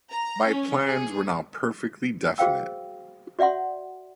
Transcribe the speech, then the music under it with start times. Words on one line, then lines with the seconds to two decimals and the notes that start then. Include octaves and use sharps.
My plans were now perfectly definite.
0.10 A#5
0.46 C#4
0.87 G#4
2.38 F#4 G#4 C5 F5 G5 E6
3.39 F#4 D5 E5 F#5 C6